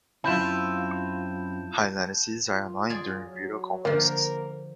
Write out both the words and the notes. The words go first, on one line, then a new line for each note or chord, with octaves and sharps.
High latencies are annoying during video conferences.
F#2 C4 E4 F4 A5 G6 E7
F4
G#4 D5
F#3
D3 F3 A#3 A#4